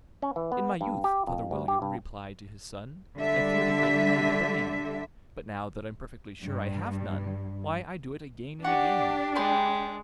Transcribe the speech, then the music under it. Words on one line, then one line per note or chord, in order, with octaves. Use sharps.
'In my youth,' Father William replied to his son, 'I feared it might injure the brain; But, now that I'm perfectly sure I have none, Why, I do it again and again.'
C#4
E3
B3
G2
G4
F2
D2
G4
G2
D3 G3 E5
G2
D4 G4 F#5 A#5 C#6
G#3 B4 G5 C6